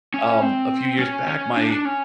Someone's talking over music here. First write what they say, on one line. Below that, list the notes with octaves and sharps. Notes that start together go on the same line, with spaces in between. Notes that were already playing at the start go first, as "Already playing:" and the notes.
um, a few years back, my,
C#4
C4
C#4
C#4
D4
D4
C#4